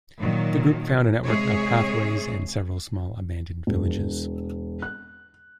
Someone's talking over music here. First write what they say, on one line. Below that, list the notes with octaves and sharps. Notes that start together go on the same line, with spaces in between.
The group found a network of pathways and several small, abandoned villages.
A#2 D#3 F#3
C3 G#3 G#4 C#5 E5
E1
F#6